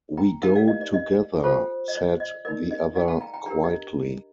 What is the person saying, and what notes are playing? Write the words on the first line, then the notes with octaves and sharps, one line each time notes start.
"We go together," said the other quietly.
G5 A#5
D#4 G4 A#4 F5 A5
D5 F5
D#5
D5
D#5
F4 A4 C5
D#5
D5
D#5
D#4 A#4 D5
D#5
D5 F5
F5 A5
G5 A#5
G5 A#5
D4 G4 A#4 G5 A#5
D#5